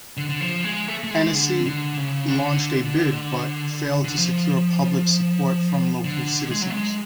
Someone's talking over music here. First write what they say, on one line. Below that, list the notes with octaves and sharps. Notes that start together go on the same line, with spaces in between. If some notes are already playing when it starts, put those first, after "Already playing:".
Annecy launched a bid, but failed to secure public support from local citizens.
D3
D3
F3
G#3
A3
A3
G#3
D3
D3
C#3
D3
D3
F3
D3
G#3
F#3
G#3